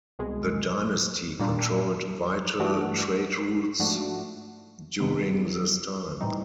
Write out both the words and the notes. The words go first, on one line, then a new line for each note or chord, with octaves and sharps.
The dynasty controlled vital trade routes during this time.
C2 B2 G#3
A#2 G3 A#3 D4
G2 E3 A3 D4 F#4
G#2 F3 A3 D4 F#4
F2 C3 D#3 G#3 B3
A2 E3 G3 C4 D#4